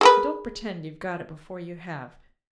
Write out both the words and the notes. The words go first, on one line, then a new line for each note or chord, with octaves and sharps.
But don't pretend you've got it before you have.
G#4 A#4 B4